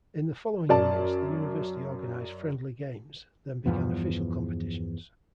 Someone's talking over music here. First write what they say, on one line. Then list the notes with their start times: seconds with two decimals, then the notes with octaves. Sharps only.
In the following years the university organized friendly games, then began official competitions.
0.69 F#2 D5 A5
3.66 E2 G2 F3 B3